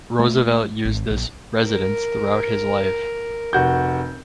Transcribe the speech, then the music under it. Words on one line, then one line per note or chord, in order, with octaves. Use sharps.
Roosevelt used this residence throughout his life.
A3
G#1
A#1
A#4
F1 F#4 G6